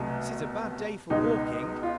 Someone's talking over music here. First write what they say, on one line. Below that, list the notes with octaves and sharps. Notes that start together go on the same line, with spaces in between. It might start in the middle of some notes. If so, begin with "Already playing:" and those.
'This is a bad day for walking!
Already playing: C2 B2 F#3 A3
C#2 B2 G#3 D#4
F4